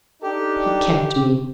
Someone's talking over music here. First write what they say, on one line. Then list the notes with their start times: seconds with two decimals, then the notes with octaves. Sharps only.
"He kept me."
0.23 D4 D#4 G4 A4